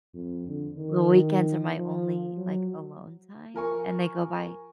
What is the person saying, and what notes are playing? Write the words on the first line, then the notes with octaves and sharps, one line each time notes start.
the weekends are my only, like, alone time, and they go by
F2
D3
D#3
F3
F#3
F3 A#4 G#5 C#6